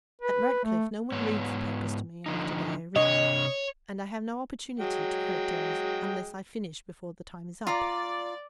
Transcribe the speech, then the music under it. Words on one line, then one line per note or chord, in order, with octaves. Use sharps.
At Radcliffe no one reads the papers to me after they are written, and I have no opportunity to correct errors unless I finish before the time is up.
B4
A3
G#2 B3 C#5
D3 F3 D#4
C3 D4 C#5 D#5
F#3 G#3 G5
F4 D5 A#5